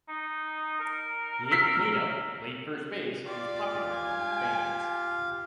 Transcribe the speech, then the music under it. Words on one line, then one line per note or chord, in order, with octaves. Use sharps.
He hit cleanup, played first base and was popular among fans.
D#4
A#4
E6 B6 C7
F4 G4 D5 F5
G#5